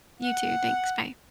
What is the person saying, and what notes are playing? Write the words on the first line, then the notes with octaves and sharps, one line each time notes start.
You too. Thanks. Bye.
F#5